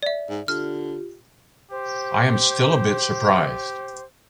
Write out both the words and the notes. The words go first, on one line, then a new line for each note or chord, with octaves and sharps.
I am still a bit surprised.
D5 E5
G#2
D3 F4 G4 F6
G4 C5